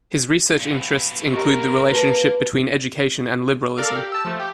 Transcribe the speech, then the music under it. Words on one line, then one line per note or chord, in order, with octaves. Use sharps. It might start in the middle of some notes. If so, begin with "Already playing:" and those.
His research interests include the relationship between education and liberalism.
G2 B2
G4 A#4 D#5
A#3 F#4 B4 A5
A4 A#4 D5 F5
G4
A5 E6
F3 A3
G4